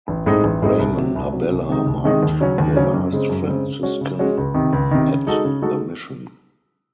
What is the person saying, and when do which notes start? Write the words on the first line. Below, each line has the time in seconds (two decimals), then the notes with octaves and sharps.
Ramon Abella marked the last Franciscan at the mission.
0.08 A1
0.26 A2 G#3 C4 D#4
0.44 A1
0.62 A2 G#3 C4 D#4
0.79 C2
0.97 C3 F#3
1.15 C2
1.33 C3 F#3
1.51 C2
1.69 C3 D#3 G#3 D#4
1.86 C2
2.04 C3 D#3 G#3 D#4
2.23 D#2
2.40 C#3 F#3 C#4
2.58 D#2
2.75 C#3 F#3 C#4
2.94 F#2
3.12 C#3 G#3 C4
3.29 F#2
3.48 C#3 G#3 C4
3.66 C#3
3.83 G#3 C#4 F#4
4.01 C#3
4.19 G#3 C#4 F#4
4.38 C#2
4.54 C3 D#3
4.73 C#2
4.91 C3 D#3
5.09 C#3
5.27 G#3 D#4 F#4 A4
5.45 C#3
5.62 G#3 D#4 F#4 A4